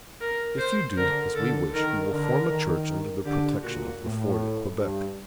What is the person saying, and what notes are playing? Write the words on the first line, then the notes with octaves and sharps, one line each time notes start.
If you do as we wish, we will form a church under the protection of the fort at Quebec.
A#4
C5
D3 A#4
D3 A4
D#3 A#4
D3 A#4
D#3
D3 G4
A#2 F#4
A2
G2